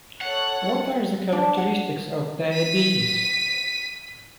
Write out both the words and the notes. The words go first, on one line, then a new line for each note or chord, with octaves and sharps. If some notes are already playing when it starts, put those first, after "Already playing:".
What are the characteristics of Diabetes?
A4 C#5 F#5 F#6
D4
F#5
B6 D#7